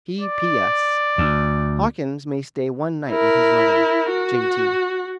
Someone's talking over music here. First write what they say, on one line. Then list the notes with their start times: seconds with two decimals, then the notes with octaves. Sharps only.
P.P.S.--Hawkins may stay one night with his mother. J. T.
0.21 D5
1.18 D2
3.09 E4 A#4
4.10 F#4